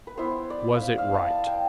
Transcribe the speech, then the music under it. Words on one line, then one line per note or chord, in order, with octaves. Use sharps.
Was it right?
B4
B3 E4 C5
D5
F5
E5
F5
A5
A5
G5